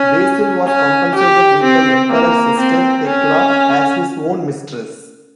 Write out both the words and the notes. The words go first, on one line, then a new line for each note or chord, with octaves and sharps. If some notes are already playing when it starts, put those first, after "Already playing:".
Basil was compensated with the emperor's sister Thekla as his own mistress.
Already playing: C#4
C#4
G4
C4
A#3
C4
C#4